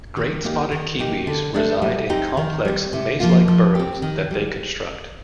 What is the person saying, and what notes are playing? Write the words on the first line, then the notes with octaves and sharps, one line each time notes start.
Great spotted kiwis reside in complex, maze-like burrows that they construct.
D#3
A#3 D#4 G4
D#3
A#3 D#4 G4
D3
A3 D4
G3
C4 D#4 G4
D#3
G3 C4
C3
F3 A#3 F4
F3
C4 G4
D#3
G3 C4